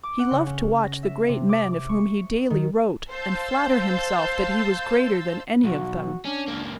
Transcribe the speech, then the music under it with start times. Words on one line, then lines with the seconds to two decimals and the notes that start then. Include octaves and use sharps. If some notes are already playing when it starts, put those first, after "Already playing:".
He loved to watch the great men of whom he daily wrote, and flatter himself that he was greater than any of them.
0.03 D6
0.19 F#5
0.31 C#3
0.47 C#4
0.85 A#6
1.03 E5
1.29 C3
1.49 D6
1.73 D6
1.89 C#6
2.50 D#3
3.09 C5 F5 A5 C6 E6 G6
5.64 B1 F#4
6.25 C#4 D4
6.48 C#2 A#3